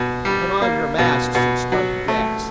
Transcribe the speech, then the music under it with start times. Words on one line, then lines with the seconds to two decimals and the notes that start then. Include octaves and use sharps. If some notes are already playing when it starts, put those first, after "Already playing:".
Put on your masks and start the gas!
Already playing: B2
0.25 G3
0.62 A#3
0.98 B2
1.35 B2
1.72 F#3
2.08 A3